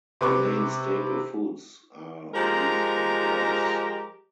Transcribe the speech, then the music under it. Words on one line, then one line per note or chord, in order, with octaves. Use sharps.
The main staple foods are wheat and rice.
C3 B4 C#6 D6
F3 G#3 G4 A#4 A#5